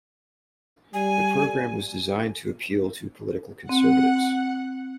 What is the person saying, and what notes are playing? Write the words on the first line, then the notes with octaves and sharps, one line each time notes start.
The program was designed to appeal to political conservatives.
G3 G#5
C4 F#5